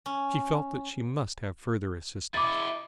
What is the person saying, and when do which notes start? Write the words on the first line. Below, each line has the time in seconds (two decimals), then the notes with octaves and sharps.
She felt that she must have further assistance.
0.06 C#4
2.34 E4 D#5 D6 A6